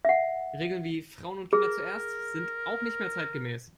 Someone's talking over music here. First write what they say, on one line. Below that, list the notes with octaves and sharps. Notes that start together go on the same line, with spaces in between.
Regeln wie "Frauen und Kinder zuerst" sind auch nicht mehr zeitgemäß.
E5 F#5
G#4 A#4